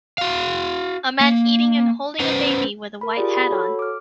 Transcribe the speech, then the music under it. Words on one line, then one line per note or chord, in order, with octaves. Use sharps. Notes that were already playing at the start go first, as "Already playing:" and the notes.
A man eating and holding a baby with a white hat on.
F#4 F5
A#3
C#4 B4 C5 F#5
A#4 B5
F4 G4 G#4 D5
B5
F#4 A4 C#5
D6 F6